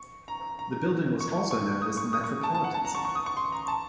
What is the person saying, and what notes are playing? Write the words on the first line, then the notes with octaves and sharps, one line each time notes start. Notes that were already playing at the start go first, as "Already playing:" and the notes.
The building was also known as the Metropolitan Center.
Already playing: C#6
A#5
A#5
C#6
C#6
D#6
C#6
D#6
C#6
A5
A5
F#5
A5
A#5
C#6
C#6
D#6
C#6
C6
A#5
A5